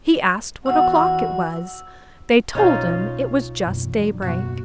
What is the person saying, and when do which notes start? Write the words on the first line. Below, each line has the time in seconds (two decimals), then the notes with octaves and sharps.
He asked what o'clock it was; they told him it was just daybreak.
0.66 E2 F#4 F#5 E6
2.55 B1 C#4 D#4 F4
3.66 F#2 B2 E3
3.92 D#1 F#3 D4
4.22 F#2 B2 A#3 F#4